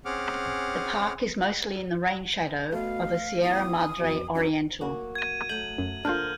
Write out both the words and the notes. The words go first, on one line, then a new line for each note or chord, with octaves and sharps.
The park is mostly in the rain shadow of the Sierra Madre Oriental.
C4 C#4 G#4 F#5 D6 F6
B2 A3 F5
E2 D#6
F2 B2
F#2 D#4
F#3 A#3 F#4
G#6 D#7
F#3 A3 G6 F#7
F#2
D3 A#3 D4 F4 C5 F6 G6